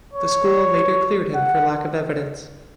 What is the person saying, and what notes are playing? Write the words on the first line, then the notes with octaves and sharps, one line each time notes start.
The school later cleared him for lack of evidence.
C#5
F#5